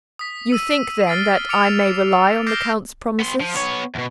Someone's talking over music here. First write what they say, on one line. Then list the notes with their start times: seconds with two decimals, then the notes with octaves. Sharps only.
"You think, then, that I may rely on the count's promises?"
0.19 D#6 B6
0.52 E6 D#7
1.07 F6 A6 C7 D7
1.49 D6 F6 C#7 D7 F7
2.47 D6 F6 G6 A#6 C7 D7
3.20 B3 C6
3.40 F3
3.54 B3 C#5
3.95 E2 B2